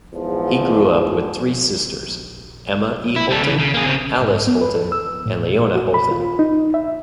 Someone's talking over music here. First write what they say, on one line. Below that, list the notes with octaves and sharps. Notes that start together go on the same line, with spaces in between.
He grew up with three sisters: Emma E. Holton, Alice Holton and Leona Holton.
E2 G#2 F3
E4
G3 A4
C#3 E3
C#3
A#3 G#4
C#3 C4
G#2
B3
B4
A4
E6
A2
A#2
F#4
B5
F4
D#4
E5